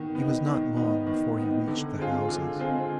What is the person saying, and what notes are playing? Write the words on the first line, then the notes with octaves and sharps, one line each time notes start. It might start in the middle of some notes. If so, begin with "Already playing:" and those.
He was not long before he reached the houses.
Already playing: D#3 B3 D#4
B3 D#4
D#3
B3 D#4
D#3
B3 D#4
D3
G#3 C4 F4 G#4
D3
G#3 C4 F4 G#4